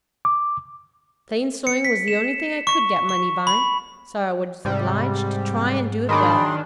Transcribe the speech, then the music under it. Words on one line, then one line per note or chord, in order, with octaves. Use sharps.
"Plain sewing was the only thing I could get money by, so I was obliged to try and do it well."
D6
C#7
B6
E7
C#6
C#6
B5
G#2 C3 G3
D#3 F#3 D4 G#4 B5 C6